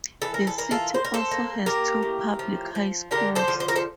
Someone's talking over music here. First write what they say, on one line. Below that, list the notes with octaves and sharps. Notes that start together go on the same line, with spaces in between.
The city also has two public high schools.
E3 A4
A#4
A4
A#3 A#4
F4 A4
A#3 C5
A#4
A4 C5
A#3
A#3 G4 A#4
A2
F3
F3
D3 G4 A#4
A4 C5
F3
C5
A#4
A4 C5